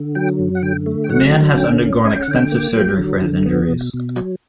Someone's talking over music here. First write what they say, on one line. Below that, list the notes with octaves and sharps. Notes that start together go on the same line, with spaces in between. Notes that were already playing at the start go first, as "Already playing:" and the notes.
The man has undergone extensive surgery for his injuries.
Already playing: D3
F#3 G5
F#2
F#5
D3 G5
A3
G5
F#3 F#5
D3
C#4 G5
C#4
C#4 G#5
G5
F#5
D3 G5
A#3
F#3
D3
D3
B3
B2
B2
F#3